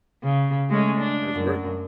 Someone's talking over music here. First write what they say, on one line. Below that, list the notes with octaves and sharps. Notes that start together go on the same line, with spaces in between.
that's great.
C#3
G#3 A3 C#4
D4
F#2